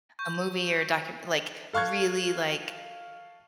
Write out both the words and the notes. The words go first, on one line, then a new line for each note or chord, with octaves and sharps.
a movie or a docum like really, like,
C#6 G6
A4 F5 C#6 F#6 G#6